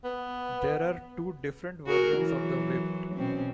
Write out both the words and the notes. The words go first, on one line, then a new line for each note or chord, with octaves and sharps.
There are two different versions of the Whipped!
B3
F#4 G#4 A#4
E3 F#3
B2 C4 C#4